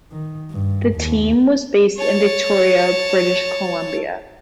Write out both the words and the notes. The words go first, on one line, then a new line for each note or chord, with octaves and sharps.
The team was based in Victoria, British Columbia.
D#3
G2
D#2
C#5 A5